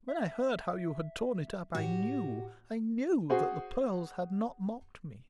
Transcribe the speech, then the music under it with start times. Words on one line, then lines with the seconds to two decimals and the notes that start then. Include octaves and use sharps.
When I heard how you had torn it up, I knew, I knew that the pearls had not mocked me.
0.08 E5
1.75 A2 F#4 G4
3.30 F#4 G#4 C5